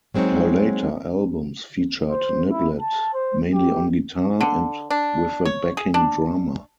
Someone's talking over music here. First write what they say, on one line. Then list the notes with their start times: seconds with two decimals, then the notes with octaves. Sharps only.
Her later albums featured Niblett mainly on guitar, and with a backing drummer.
0.14 F#3 G#3 C4 D#4 C#5
2.10 C5
2.51 E4
2.80 A5
3.14 C5
3.53 G4
4.41 D3
4.90 D4
5.45 C#5
5.77 G#4
5.94 D4